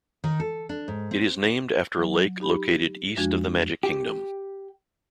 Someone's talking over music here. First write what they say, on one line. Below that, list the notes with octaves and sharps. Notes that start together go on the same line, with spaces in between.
It is named after a lake located east of the Magic Kingdom.
D#3
A4
D4
G#2
C4
F#3
D#4 G4 B5
F2 F3 G#3 D4 F#4 G#6
G4